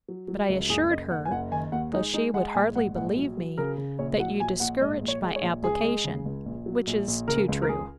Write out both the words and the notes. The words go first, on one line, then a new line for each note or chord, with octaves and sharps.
But I assured her, though she would hardly believe me, that you discouraged my application: which is too true!
F#3
F#3
C#2
F#1 G#4
F#1 D#5
F#1 F#5
G#5
F#1 F#5
D#3 G#5
D#2 F#5
G#3 D#4
G#3 D#4
G#3 F#5
A#1 G#5
G#2 F#5
A#1 F#5
F#3
F#3
C#3 A#4
C#3
A#1 C#5
F#3 F#5
A#1 G#5
A#1 F#5
G#2 D#5
A#1
C#5
G#3
C#5
A#1
C#2 G#4
G#3
C#3
C#2
A#1
F#3
A#1
A#1
C#3 A#4
C#2
A#4
C#2 G#4